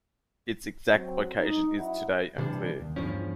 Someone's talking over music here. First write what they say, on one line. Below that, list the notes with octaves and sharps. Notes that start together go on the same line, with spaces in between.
Its exact location is today unclear.
F#3 C4
D#4
F#3 C#4 D#4 E4 F#5
C3 E3 G3 D4
D#2
E2 G2 F3 C#4